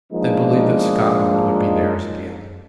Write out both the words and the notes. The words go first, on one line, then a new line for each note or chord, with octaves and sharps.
They believed that Scotland would be theirs again.
F3 G#3 A#3 D4 D#4